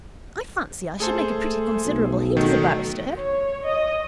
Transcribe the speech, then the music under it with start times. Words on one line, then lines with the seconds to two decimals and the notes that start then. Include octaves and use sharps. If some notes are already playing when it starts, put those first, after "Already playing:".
'I fancy I should make a pretty considerable hit as a barrister.'
1.00 A3 G#4 A4 C5
1.85 B1
2.37 D#3 F#3 A3
3.20 C#5
3.66 D#5